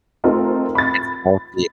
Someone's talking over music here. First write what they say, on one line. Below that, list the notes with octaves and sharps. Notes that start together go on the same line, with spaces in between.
It's healthy,
A3 C4 D#4 F4 A#4
B5 A6